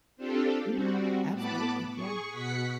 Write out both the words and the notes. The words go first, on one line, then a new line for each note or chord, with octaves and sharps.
Yeah, absolutely, yeah.
C4 D4 F4 G4 A4
G3 C4 F#4
A2 B3 A5 B5 D6
G#4 C#6
B2 F#5 B6 C#7